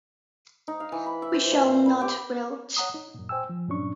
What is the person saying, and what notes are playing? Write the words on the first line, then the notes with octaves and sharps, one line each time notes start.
We shall not wilt.
D#4
F5
E3
B5
E5
C5
A#2
F5
B5
G4
C#5 F#5 A#5 D#6
D#4
F#2 A#2
C5 G5 G#5 E6
F3
G2 A#2 F#3 C#4 D4 C#6